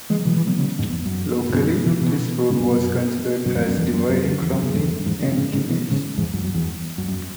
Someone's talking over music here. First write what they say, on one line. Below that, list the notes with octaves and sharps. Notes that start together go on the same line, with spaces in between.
Locally this road was considered as dividing Crumlin and Kimmage.
E3 G#3
F#3
B2 E3
E3 G#3
F#3 B3
C#3 F#3
E2 G#2
E2
F#2
G#2
F#2 B2
B2 E3
B2 E3
G#2 C#3
F#2 B2
F#2 B2
F#2 B2
E2 G#2
F#2
E2
F#2
F#2
F#2
E2
F#2
F#2 B2
E2 G#2
E2
F#2
E2 G#2
F#2 B2
E3
G#2 C#3
G#2 C#3
B2 E3
G#2 C#3
E2 G#2
F#2
F#2
E2
F#2
F#2